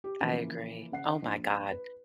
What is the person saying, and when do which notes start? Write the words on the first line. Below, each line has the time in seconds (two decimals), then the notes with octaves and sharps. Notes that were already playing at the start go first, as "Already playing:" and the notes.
I agree. Oh my god.
0.04 G4
0.20 C#3 E3 F3 A#3
0.92 C#3 F#5 C7
1.22 A#1
1.71 B4